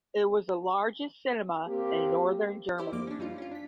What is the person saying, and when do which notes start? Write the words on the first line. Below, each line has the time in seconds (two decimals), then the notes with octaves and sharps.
It was the largest cinema in northern Germany.
1.67 A#3 C4 G4
2.78 E4 G4 C5 D5 E5
2.91 F2 F3 A#3 D6
3.07 C#4 D4
3.19 F2 E3 G3 C#4 D#4 F4
3.38 C#4 F4
3.51 D4 B6